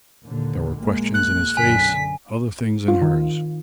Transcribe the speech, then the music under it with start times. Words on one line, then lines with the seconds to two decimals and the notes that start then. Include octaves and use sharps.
There were questions in his face--other things in hers.
0.24 D#2 A#2 D3
0.76 A#1 G#3 A#3
1.14 F#6
1.57 B1 F#2 D3 G#5 B6
2.88 F4
3.02 D#3